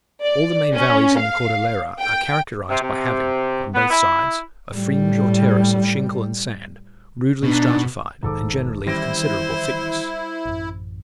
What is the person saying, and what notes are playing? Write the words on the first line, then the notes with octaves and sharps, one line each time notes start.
All the main valleys in the Cordillera are characterized by having, on both sides, a fringe or terrace of shingle and sand, rudely stratified, and generally of considerable thickness.
D5
C#4
F5
G5
C3
C3
B3
E4
A2 G3
B2 D4 D#4
E1 B1 G#2 D#3 A4 D6
D#3 E3 G3 C#4 E4 C5 A#6 D7
A1 F#2